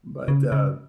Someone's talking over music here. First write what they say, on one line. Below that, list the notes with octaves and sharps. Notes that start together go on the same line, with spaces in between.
but, uh,
C#3
C#3